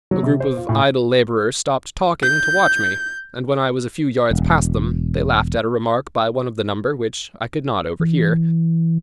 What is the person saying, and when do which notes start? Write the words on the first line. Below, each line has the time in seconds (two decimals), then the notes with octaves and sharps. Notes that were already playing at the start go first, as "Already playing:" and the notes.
A group of idle laborers stopped talking to watch me; and when I was a few yards past them they laughed at a remark by one of the number which I could not overhear.
0.11 F#3
0.23 C3
0.40 C5
0.57 F4
0.69 A2
2.23 G6
4.31 E1
8.00 E3